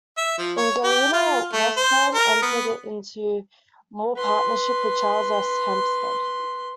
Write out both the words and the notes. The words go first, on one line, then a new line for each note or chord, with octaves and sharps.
In Galena, Wasburne entered into law partnership with Charles S. Hempstead.
E5
F3
C#5
G4
F4
A3
C5
A#4
B3
B4 C6